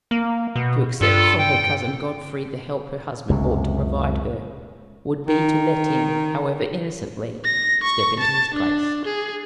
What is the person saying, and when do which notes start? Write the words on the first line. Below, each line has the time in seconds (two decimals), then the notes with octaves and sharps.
To accept from her cousin Godfrey the help her husband ought to provide her, would be to let him, however innocently, step into his place!
0.11 A#3
0.56 B2
1.01 G2 F4 A4
1.38 G5
3.29 C#2 F#2 C3
5.27 D#3
7.44 A#6
7.83 C#6
8.19 A5
8.54 D4
9.05 G#4